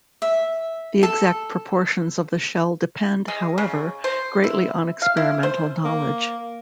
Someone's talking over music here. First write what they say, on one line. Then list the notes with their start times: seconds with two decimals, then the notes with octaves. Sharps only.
The exact proportions of the shell depend, however, greatly on experimental knowledge.
0.22 E5
1.03 A4
3.28 G#3
3.58 C#3
4.04 C5
4.44 E4
5.02 F5
5.17 E4
5.43 C5
5.84 A#3